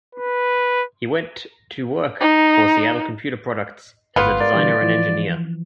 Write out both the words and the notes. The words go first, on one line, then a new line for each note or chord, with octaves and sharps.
He went to work for Seattle Computer Products as a designer and engineer.
B4
D#4
G1 B3 F4 B4
A#4 D5
D3 E3 G3
E3 F3